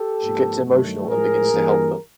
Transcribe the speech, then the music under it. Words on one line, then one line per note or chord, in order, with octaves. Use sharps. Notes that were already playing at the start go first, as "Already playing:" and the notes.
She gets emotional and begins to help them.
Already playing: G4 A4
G#2 F3 A#3
G2 D#3 F#3 A3
A2 F3 G#3 G#4 A#4
G2 E3 G3 A#3